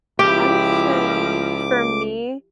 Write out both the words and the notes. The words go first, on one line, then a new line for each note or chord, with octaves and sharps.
I would say for me,
C#2 F3 E4 G4 D6